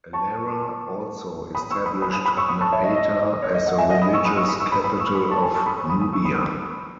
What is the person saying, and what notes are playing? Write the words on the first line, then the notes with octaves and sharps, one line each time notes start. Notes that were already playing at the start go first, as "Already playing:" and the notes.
Alara also established Napata as the religious capital of Nubia.
A5 C#6
B5 D#6
C#6 E6
B5 D#6
B5 D#6
B5 D#6
B5 D#6
C#6 E6
B5 D#6
A5 C#6
C#5 E5
D#5
D#5
D#5
C#5
D#5
D#5 F#5
E5 G#5
D#5 F#5
B5 D#6
C#6 E6
B5 D#6
C#6 E6
B5 D#6
C#6 E6
B5 D#6
B5 D#6
C#6 E6
B5 D#6
A5 C#6
G#5 B5
A5 C#6
B5 D#6
C#6 E6
B5 D#6
B5 D#6
C#6 E6
B5 D#6